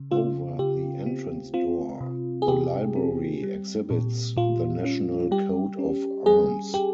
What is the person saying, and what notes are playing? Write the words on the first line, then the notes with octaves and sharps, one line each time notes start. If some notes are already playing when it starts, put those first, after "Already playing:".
Over the entrance door, the library exhibits the national coat of arms.
Already playing: C#3
C#3 F4
C#3 G4
C4
C4 F4
C3
G#4
C3 G4
C4
G3
A#2
A#2 F4
C#4
G3 G4
C#4
G3 G#4
G4